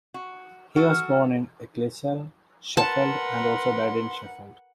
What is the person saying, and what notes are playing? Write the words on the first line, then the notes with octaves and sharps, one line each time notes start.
He was born in Ecclesall, Sheffield, and also died in Sheffield.
F#4
F#4 A4 F6
A#4 B4 F#5 A5 C6